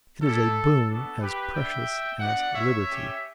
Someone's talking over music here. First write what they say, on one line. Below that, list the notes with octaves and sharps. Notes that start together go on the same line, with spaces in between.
"It is a boon as precious as liberty."
C#4 E4 G4 A4
B3 D4 F#4 A4
G4 B4
G3 D4 G4 E5 G5
B3 D4 F#4 D5 F#5
C#5 E5
C#4 G4